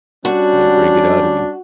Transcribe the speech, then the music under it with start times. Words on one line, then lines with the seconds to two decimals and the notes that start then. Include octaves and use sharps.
they bring it out of you.
0.25 G3 C#4 D4 F#4